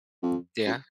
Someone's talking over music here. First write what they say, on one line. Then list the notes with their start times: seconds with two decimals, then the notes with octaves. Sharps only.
M Yeah.
0.23 F2
0.66 F#2